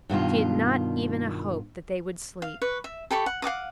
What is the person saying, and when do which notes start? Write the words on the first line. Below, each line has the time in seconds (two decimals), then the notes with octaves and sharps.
She had not even a hope that they would sleep.
0.10 G2 B2 D#3 F4
2.42 F5
2.62 B4 C#6
2.84 E5
3.11 G4 A4 B5 C#6
3.26 F#5
3.42 F5 F#5 D6 D#6